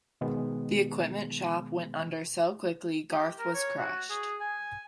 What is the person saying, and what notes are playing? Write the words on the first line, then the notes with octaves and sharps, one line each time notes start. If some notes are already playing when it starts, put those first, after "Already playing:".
The Equipment Shoppe went under so quickly Garth was crushed.
B2 D#3 G#3 B3
G4
A#4
C#5
F#4
G#4
G#5